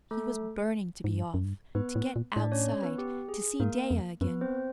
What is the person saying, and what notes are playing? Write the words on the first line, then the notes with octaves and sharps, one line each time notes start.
He was burning to be off, to get outside, to see Dea again.
A3 A4
G#2
G2
F#2
G2
G#2 B3 B4
A2
A#2
A2 D4 D5
C#4 C#5
B3 B4
G4
G#4
G#2 A#3 A#4
F2
F#2 B3 B4
C4 C5